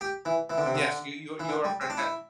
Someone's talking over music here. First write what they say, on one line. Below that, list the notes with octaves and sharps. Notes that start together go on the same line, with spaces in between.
Yes, you you are you are correct, that
G4
E3
E3
D3
C3
D3
E3
D3
G3
C4
D4
E4